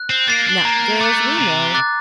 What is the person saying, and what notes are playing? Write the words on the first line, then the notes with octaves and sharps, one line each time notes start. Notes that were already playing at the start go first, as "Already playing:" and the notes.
"Not girls we know."
Already playing: F#6
C4
A#3 A6 C7
D4
A#3 A#5
A3 D6 F#6 A6
C3 A#5
D6 F#6 A6